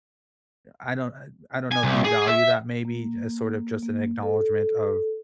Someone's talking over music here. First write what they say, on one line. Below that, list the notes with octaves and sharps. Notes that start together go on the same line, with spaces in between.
I I don't uh, I don't know if you value that maybe as sorta just an acknowledgement of
G#5
C2
G#4
E5
A#3
A#3
A4